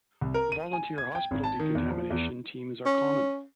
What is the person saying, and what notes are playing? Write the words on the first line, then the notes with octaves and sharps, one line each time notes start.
Volunteer hospital decontamination teams are common.
C2
A#4
D#7
G#5
G#6
G5
G#1
A5
D#3
E2
F3
E2
C#4